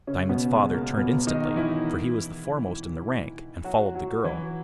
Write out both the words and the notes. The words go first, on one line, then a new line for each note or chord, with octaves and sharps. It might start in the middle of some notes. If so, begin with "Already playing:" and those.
Diamond's father turned instantly, for he was the foremost in the rank, and followed the girl.
C#3 C#4
B2 B3
G#3
A#3
B2 B3
D#3 D#4
E3 E4
F#3 F#4
F#3 F#4
E3 E4